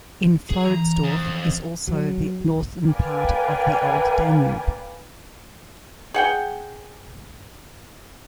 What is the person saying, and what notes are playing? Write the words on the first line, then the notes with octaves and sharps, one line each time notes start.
In Floridsdorf is also the northern part of the Old Danube.
G#4
E3 A#5
F2
F#3
A#4 B4 D5 F5 G5 G#5
G#4 F#5 G5